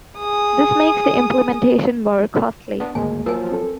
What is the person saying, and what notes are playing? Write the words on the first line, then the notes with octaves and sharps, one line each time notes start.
This makes the implementation more costly.
G#4 D#6
B3 D4
G#1 D2 G#3 A#3 G#5
F3 F#3 A#4 G#5
C4 A4